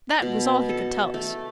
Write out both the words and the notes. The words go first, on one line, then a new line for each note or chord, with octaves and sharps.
That was all he could tell us.
B2
A4
A3